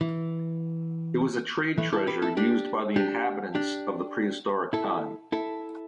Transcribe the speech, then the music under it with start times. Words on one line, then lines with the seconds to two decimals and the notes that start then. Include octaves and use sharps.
It was a trade treasure used by the inhabitants of the prehistoric time.
0.01 E3
1.78 E3 A3
1.93 E4 A4
2.07 G4 B4
2.22 E4 A4
2.37 D4 G4
2.96 D4 G4
3.55 D4 G4
4.73 E4 A4
5.32 E4 A4